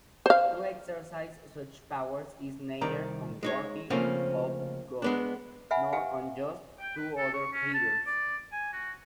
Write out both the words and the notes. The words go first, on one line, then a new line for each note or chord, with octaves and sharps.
To exercise such powers is neither unworthy of God nor unjust to other creatures.
C5 F5
C2 D#3 D5 A#5
G#3 D#4 C#5
C#3 F3 A3 A#3 C4 C#4
G#3 B3 D4
B4 E5 F#5 G#5 B5
G4 B4 F5 F#5 G#5
G5
B4
A4
C#6
C#4
A5
D5
G#5
F#4